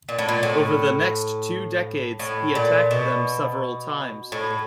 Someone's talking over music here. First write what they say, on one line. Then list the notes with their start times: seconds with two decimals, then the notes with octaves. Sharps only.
Over the next two decades, he attacked them several times.
0.09 A#2
0.19 A2
0.29 A#2
0.43 A2
2.19 A2
2.55 A#2
2.91 B2
4.32 A2